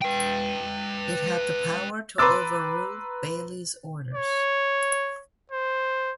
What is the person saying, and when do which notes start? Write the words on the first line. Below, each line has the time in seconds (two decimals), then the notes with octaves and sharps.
It had the power to overrule Bailie's orders.
0.02 B4 G5
2.18 B4 A#5 C6 D6 E6 A6
4.14 C#5
5.52 C5